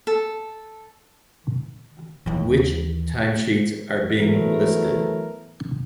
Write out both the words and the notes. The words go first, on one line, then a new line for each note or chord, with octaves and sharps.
Which timesheets are being listed?
A4
D#2 E3
E3 F#3 A3 B3 A#4